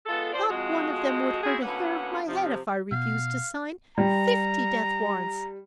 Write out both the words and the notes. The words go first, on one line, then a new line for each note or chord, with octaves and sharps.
Not one of them would hurt a hair of my head if I refused to sign fifty death-warrants!
G#3 B3 F4 A4
F3 C5 D5
F2 G#3 F#4
C4 E4 F#4 G#4
D2 A2 A#3 B3 C#4 F#5
C3 F3
B2 F5
G3 A#5